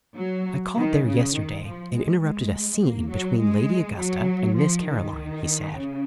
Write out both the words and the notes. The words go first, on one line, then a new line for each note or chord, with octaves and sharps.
"I called there yesterday, and interrupted a 'scene' between Lady Augusta and Miss Caroline," he said.
F#3
D#3
C#3
D#3
F3
G#3
G#3
A#3
F#3
G#3
F#3
F3
D#3
C#3